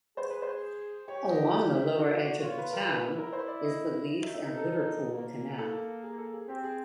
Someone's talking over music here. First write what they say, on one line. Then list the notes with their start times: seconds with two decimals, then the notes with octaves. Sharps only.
Along the lower edge of the town is the Leeds and Liverpool Canal.
0.17 G#4 C5
0.30 B4
0.42 C5
1.08 G4 C#5
1.30 D#5
1.53 D5
1.75 E5
1.97 F#4 D#5
2.20 D5
2.42 F4 C#5
2.58 B4
2.73 A#4
2.88 E4 B4
3.19 A#4
3.33 C5
3.48 D5
3.63 D#5
4.23 D#4 E5
4.34 E5
4.45 A#4
4.57 A4
4.69 A4
5.13 A#3
5.58 A4
6.03 G#4
6.18 A4
6.33 G#4
6.48 C4 G4
6.64 G#4